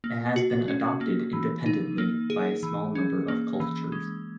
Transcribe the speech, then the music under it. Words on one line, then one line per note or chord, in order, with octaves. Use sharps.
It has been adopted independently by a small number of cultures.
A#3
F#4
C#4
A#3
E3
D#4
A#3
G#4
E3
C#4
A#3
E3
G#3